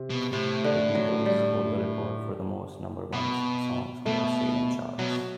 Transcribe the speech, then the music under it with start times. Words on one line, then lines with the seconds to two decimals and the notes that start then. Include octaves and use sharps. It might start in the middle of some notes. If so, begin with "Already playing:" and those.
The Beatles hold the record for the most number-ones songs on the Australian charts.
Already playing: C3
0.10 B2
0.32 A2 C3
0.64 D3
0.95 F#3
1.26 G3
3.12 B2 B3
4.06 B2 A3
4.99 B2 F#3